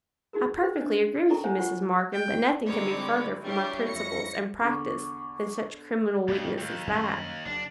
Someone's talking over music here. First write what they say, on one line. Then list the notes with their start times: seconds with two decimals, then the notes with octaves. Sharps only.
'I perfectly agree with you, Mrs. Markham; but nothing can be further from my principles and practice than such criminal weakness as that.'
0.33 D#4 F#4 G#4 A#4
0.62 B4 C5 G5
0.81 C#4 D4 D#5
1.30 E4 A4 A#4 G5 A#5 C#6
1.44 C5 C#5 E5 F#5 G#5
1.58 F4 C5 F#5 C#6
2.13 G5
2.65 D3 G#3 C4 D#4 C#5 D5 B5 D6
3.44 G3 D4 E4 G4 C#5
3.88 F2 A#6 C#7
4.59 E2 D3 C#6 D6
6.28 F2 A2 F3
6.58 D#2
6.87 F#2 G3 C#4
7.45 F#1 D4